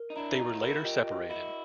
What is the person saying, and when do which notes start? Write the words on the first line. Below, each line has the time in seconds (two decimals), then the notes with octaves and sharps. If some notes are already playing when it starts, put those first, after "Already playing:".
They were later separated.
Already playing: A#4
0.10 D#4
0.16 D4 E4 A#5
0.38 D#4 F4 A#5
0.61 E4 F#4 A#4
0.84 F4 G4 D#5
1.07 D#5
1.30 E4 F#4 D#5